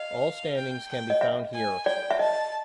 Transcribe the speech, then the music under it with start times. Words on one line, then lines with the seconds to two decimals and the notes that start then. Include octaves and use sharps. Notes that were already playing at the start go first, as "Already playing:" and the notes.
All standings can be found here.
Already playing: D#5 F5
0.56 G5
0.89 G5
1.10 D#5
1.21 E5
1.54 G#5
1.86 D5 G5
2.11 E5
2.19 D#5 A5